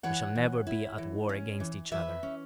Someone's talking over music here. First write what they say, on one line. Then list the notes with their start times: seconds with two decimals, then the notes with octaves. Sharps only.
We shall never be at war against each other.
0.03 E3 C#5 F#5
0.35 E3
0.67 E4
0.98 E3
1.29 C#4
1.60 E3
1.91 E3 B4 E5
2.23 C#4